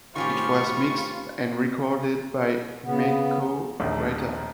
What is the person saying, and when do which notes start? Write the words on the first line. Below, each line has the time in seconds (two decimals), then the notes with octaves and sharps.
It was mixed and recorded by Mikko Raita.
0.16 A2 D#3 C#4 F4 G4 C5 B5 C#6
2.84 C#3 B3
3.80 A#1 D#2 A3